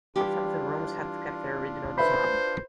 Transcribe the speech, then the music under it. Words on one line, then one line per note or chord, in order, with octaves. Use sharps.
Some of the rooms have kept their original design.
E3 G3 D4 F4 G4
B4 C5 E5 B5